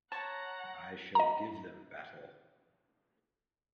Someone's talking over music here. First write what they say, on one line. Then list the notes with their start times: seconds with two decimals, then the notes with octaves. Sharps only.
I shall give them battle.
0.12 C#5 F#5 A5 A#5 C#6
1.15 D#5 A#5